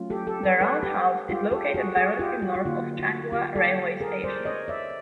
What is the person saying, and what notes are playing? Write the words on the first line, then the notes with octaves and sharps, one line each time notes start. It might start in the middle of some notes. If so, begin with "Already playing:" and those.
The roundhouse is located directly north of Changhua railway station.
Already playing: F#3 A3 C#4 F4
G4 A4
G4 A4
A4 B4
A4 B4
G4 A4
F4 G4
G4 A4
F#4 G#4
F#4 G#4
F4 G4
F#4
F#4
D3 F#3 A#3 D#4 F4
F#4
F4 G4
G4 A4
G#4 A#4
C5 D5
C#5 D#5
D5 E5